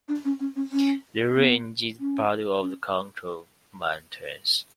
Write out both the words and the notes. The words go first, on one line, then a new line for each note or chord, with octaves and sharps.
The range is part of the Concord Mountains.
D4
C#4
C#4
C#4
C#4
B3
C#4
C#4